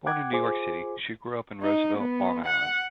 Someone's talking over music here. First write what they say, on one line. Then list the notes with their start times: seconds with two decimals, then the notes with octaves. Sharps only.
Born in New York City, she grew up in Roosevelt, Long Island.
0.06 F#5 G5 D6 F#6 G#6
0.33 F4 G#4 C5 G#5 D6
1.62 D#4
1.98 B3
2.47 F#5